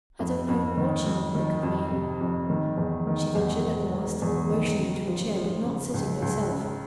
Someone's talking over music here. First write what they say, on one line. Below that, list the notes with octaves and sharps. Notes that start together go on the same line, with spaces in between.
"I don't know what you will think of me," she ventured at last, motioning to a chair but not sitting herself.
F2
F2
D#3
F2
D#3
F2
C3
F2
D#3
E2
D#3
E2
E1
E1
E2
D#3
C#3
F3
F3
C#3
C#2
C#2
C#3